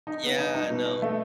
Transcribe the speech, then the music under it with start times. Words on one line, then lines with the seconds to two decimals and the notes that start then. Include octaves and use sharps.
Yeah. No.
0.07 D#4
0.24 B3
0.39 D#4
0.55 D#4
0.70 B2
0.85 B2
1.02 A3